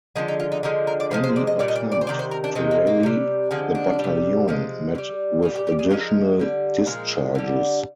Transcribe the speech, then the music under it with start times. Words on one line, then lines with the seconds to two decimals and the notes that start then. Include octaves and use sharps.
Any attempt to rally the battalion met with additional discharges.
0.16 D3 F3 G#3 A#3
0.28 D#4
0.40 F4
0.52 D#4
0.63 D3 F3 G#3 D#4
0.87 A#4
1.00 D5
1.11 C3 F3 G#3 C5
1.24 C5
1.36 D5
1.47 D#5
1.59 A#2 G3 D5
1.68 D#5
1.76 D5
1.92 D5
2.01 C5
2.07 C3 D#3 D5
2.19 C5
2.31 A#4
2.44 D4
2.55 C3 D#3 G#3 C4
2.71 A#3
2.87 A#3
3.03 C3 G3
3.51 D3 F3 G#3 C4
3.75 D4
3.99 C3 G3
4.48 C3 F3 G#3
4.95 D3
4.98 G3
5.43 A#2 G3 G#4
5.56 G4
5.67 G4
5.79 G#4
5.90 D3 F3 G#3 A#4
6.39 D3 G3
6.87 A#2 F3 G#3 A#4
7.35 D3 G3